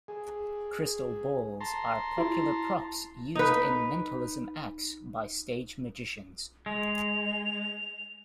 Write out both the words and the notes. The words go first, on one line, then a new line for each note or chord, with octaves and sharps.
Crystal balls are popular props used in mentalism acts by stage magicians.
G#4
A5 A#5 C6
E4
D#4 B4
G#3 F7